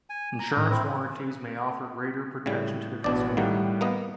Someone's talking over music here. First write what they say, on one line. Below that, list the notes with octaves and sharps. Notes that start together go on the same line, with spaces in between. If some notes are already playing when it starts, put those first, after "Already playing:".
Insurance warranties may offer greater protection to the consumer.
G#5
A#5
A2
C4 E4
A2 C#3 G3
A1 B2 B3 D4 D5
A2 D#3 G3 A#3 F#5
A#3 B3 D#5